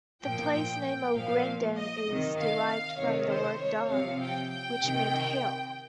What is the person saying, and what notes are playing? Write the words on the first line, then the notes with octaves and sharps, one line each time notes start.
The place name of "Grindon" is derived from the word 'dun', which meant hill.
A#2 F3 G5
G5
G5
A#2 F3 F5
D#5
C3 D#3
F5
F5
C3 D#3 C#5
C5
C#5
C3 F3 F5
G5
G5
C3 D#3